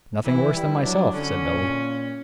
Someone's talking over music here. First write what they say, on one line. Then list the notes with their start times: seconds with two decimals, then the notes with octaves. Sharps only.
"Nothing worse than myself," said Billy.
0.25 E3 E4
0.54 G3
0.84 F#3 D4
1.14 D3 C#4
1.43 A#2